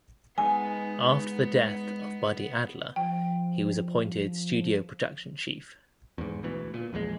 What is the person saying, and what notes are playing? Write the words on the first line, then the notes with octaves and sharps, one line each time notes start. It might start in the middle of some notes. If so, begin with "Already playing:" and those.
After the death of Buddy Adler he was appointed studio production chief.
G#3 B3 D#4 G#5
F3 G5
E2 G#2
D2 B2 E3
A#2
A#1 E2 D#3 G#3